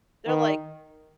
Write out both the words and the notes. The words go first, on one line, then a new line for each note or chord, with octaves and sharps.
they're like,
D#3